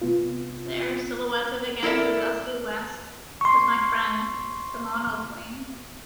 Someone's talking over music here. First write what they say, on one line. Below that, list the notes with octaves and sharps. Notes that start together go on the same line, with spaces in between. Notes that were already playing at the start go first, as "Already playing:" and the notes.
There, silhouetted against the dusky West was my friend, the monoplane.
C3 B3 F4
E4 A4 A#4 D5 E5
C6 C#6